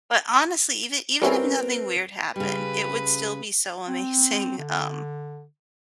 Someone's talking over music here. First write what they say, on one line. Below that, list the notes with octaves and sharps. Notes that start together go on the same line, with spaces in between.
But honestly, even even if nothing weird happened, it would still be so amazing, um,
G3 C4 C#4 E4 A#4 B4
C#3 G3 B4
C4
D3